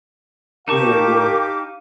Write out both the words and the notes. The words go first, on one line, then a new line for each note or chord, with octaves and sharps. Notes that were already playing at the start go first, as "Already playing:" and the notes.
Yeah, yeah.
D#4 G4 A#4 F5 A5 C#6 D6